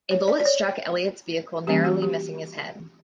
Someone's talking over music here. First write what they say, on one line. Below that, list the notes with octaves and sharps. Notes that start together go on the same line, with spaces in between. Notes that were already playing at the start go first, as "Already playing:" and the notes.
A bullet struck Elliott's vehicle, narrowly missing his head.
C#5
D5
D5
C#5
E3 G3 A#3 C#4 G4
F#4
G4